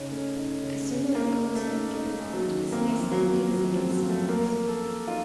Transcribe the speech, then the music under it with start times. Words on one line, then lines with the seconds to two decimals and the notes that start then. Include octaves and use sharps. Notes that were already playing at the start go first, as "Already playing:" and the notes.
A similar concept to the Monte is the ascending second sequence.
Already playing: C#3 C#4 D#4
0.11 A3
0.37 D#4
0.63 C#3
0.90 C#3
1.15 A#3 D#4
1.42 A#4
1.55 A3
1.68 D#4
1.93 D#4
2.21 A3
2.33 F#3
2.47 D#3
2.72 A#3 C4
2.99 F3
3.11 F#3
3.24 F4
3.51 F#3 F4
3.71 F3
3.77 C4
3.90 F#3
4.03 F3
4.09 A3
4.29 A#3 A#4
4.55 A#4
4.68 A4
4.81 A#3
5.07 D#4 F4